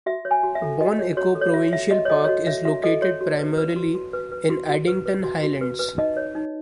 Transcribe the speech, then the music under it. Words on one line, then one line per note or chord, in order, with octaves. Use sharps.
Bon Echo Provincial Park is located primarily in Addington Highlands.
F#4 E5
C#5
G#5
F#4
E5
A4
F#4 D#5
C#5
F#4 C#5
A4
C#5
F#4 E5
C#5 E5
F#4 D#5
C#5
A4 D#5
C#5
F#4 D#5
C#5 E5
F#4 E5
A4 D#5
F#4 C#5
F#4
B4
B4
F#4
F#4
B4
B4
F#4
F#4
B4
B4
F#4
F#4
B4
B4
D#4 D#5
C#5
D#4